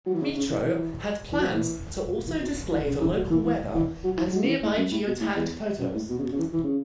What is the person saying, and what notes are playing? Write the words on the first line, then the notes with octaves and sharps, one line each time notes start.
Meetro had planned to also display the local weather and nearby geotagged photos.
F#3
E3
C#3
C#3
E3
E3
E3
F#3
E3
E3
B2
E3
C#3
E3
F#3
E3
E3
E3
F#3
E3
F#3
C#3
E3
A2
F#2
A2
B2
A2
E2
F#2
A2
B2
C#3
B2
C#3
E3
E3
C#3